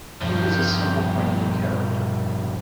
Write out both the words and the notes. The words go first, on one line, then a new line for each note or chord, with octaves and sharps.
He was a simple friendly character.
G2 F3